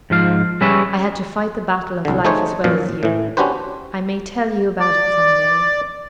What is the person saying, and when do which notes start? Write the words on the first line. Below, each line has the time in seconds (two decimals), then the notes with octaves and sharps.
I had to fight the battle of life as well as you. I may tell you about it some day.
0.10 G#2 F3 F5
0.61 G3 C#4 G#4 B4 C#5 E5
2.05 C2 D3
2.25 A3 D#4 G#4 C5 C#5
2.64 F#2 A#2 F3
3.03 A2 E3
3.37 C#4 D4 F#4 G4 B4 C5
4.80 D5